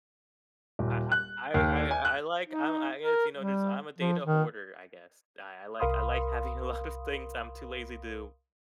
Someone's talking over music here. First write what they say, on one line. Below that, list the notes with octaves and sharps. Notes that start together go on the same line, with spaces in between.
I I I I I like I l I guess, you know, just I'm a data hoarder, I guess. I I like I like having a lot of things, I'm too lazy to
D#1
F#6
D#2
G#5
F#6
D#4
A#4
G3
F3
D#3
C2 A#4 F5 B5 C6 D#6